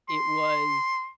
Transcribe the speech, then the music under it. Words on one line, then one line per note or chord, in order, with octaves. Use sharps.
It was
C6